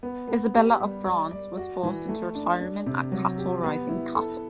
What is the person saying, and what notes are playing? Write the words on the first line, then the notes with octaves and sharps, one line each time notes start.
Isabella of France was forced into retirement at Castle Rising Castle.
B3
B3
G4
G3
D5
D5
F#4
E3
A3
D4
D4
C3
F#3
G4
B3
E4
A4